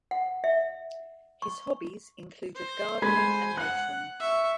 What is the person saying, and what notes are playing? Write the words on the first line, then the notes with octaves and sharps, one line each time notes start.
His hobbies included gardening and motoring.
F#5
E5
C#6
C5
G#3 C5 G#5 B5 G#6
F#5 F#6
E5 C#6